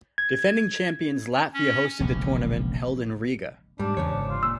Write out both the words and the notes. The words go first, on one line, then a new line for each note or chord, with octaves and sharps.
Defending champions Latvia hosted the tournament, held in Riga.
G#6
C#4
E1 A#1 G#2 C#3
G#2 G3 D4
E2 G#2 C#3 C#5
G1
F4
A#2 E6